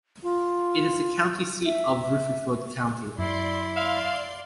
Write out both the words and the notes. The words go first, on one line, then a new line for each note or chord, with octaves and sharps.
It is the county seat of Rutherford County.
F4
E5
F#2 E4 D5 C6
D5 E5 F5 C6